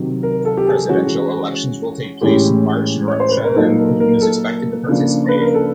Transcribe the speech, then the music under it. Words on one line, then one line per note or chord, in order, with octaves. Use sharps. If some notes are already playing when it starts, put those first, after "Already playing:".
Presidential elections will take place in March in Russia and Putin is expected to participate.
Already playing: C3 D#3 F#3
A#4
A4
G4
G#4
E3 G#3 C#4 F#4
A2 E3 G#3 C#4 G4
C#5
C5
B4
A#4
A#2 F#3 A#3 D#4 A4
A#4
A#4
A4
C#3 F3 A#3 D4
B4
A#4
A4